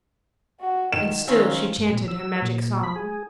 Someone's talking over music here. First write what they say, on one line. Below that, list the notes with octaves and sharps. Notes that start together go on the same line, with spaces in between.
And still she chanted her Magic Song.
F#4
D#3 E7
D#3 C4 C#4 F5
G#2
A#2
E6
A#2
B5
G#4